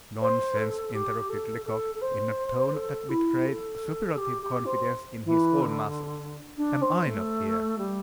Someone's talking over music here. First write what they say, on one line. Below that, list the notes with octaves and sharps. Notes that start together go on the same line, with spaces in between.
"Nonsense!" interrupted Lecoq, in a tone that betrayed superlative confidence in his own muscles; "Am I not here?"
C5
A4
G4
A4
A4
A4
C5
A4
E4
A4
G4
G4
C4
E3
D3
D4
C4
A3
G3